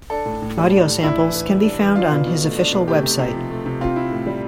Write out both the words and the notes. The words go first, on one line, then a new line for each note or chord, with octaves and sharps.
Audio samples can be found on his official website.
D4 A4
A2
A2
G3
D4
A2
D4 E4
E3
E3
G3
D4
E3
D4 F4
B2
B2
A3
D4
B2
A3 G4
C3
C3
F3
A3
C3
C4 F4
E4
A2
G3